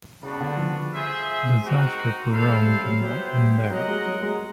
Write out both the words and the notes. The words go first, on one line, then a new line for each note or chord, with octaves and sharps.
The disaster for Rome did not end there.
C#3 G3 B3 D4 F#4
D3
F3
F4 G#4 C5 E5
G#3 C4 D#4 F#4 A#4
A3 E4 A4 C5 F5
G#3
G3
F#3
F#3 B3 E4 G4 C5
G3
F#3 F#4 A#4 D#5 F#5
G#3
F#3
G#3